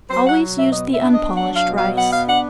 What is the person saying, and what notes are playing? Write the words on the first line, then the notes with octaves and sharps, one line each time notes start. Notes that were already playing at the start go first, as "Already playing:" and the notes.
Always use the unpolished rice.
F#3 C5
F#5
B2
E5
B3 D#5
E5
D4
D#5
F#3 F#5
F5
B2
F5
B3 F#5
F5
D4 F#5